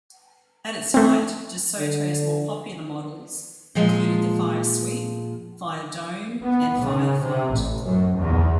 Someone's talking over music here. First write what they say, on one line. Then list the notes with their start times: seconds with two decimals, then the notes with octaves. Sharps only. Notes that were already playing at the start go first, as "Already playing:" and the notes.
At its height, DeSoto's more popular models included the Firesweep, Firedome, and Fireflite.
0.94 A3 C4
1.79 D3
3.75 A#2 F3 G#3
6.44 B3
6.82 C#3
7.22 C3
7.53 A1
7.82 F#2
8.15 E2